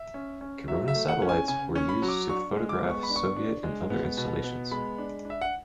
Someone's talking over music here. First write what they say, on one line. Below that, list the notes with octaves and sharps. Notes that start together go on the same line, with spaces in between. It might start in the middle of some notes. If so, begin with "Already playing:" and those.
Corona satellites were used to photograph Soviet and other installations.
Already playing: E5
C#4
C#4
F#3 E5
E5
A3
F#5
C#4
G#5
C#3 G#5
C#4 C#6
B5
F#3
D6
D4 C#6
G#3
D6
B3
C#6
B5
D4
C#6
D4
G#3
B3
B2
B3
G#3 B5
D4
D4
E5
F#5